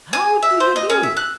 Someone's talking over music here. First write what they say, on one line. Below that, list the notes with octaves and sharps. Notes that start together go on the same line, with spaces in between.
"How do you do!"
G#5
E5
C5
D#5
C#4
E5
F#6